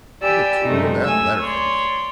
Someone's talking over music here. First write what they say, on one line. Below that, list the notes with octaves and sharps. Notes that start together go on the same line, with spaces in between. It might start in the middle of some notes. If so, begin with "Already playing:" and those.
What a tour that letter had made!
G4 D5 G#5 B5 E6
F#2 C3 G#3 A3 D#4
A3 G#5 E6
C#5 D5 C6